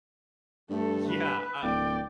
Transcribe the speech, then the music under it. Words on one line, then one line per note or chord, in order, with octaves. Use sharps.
Yeah, I
G2 A3 A4
B4
D1 D5 G5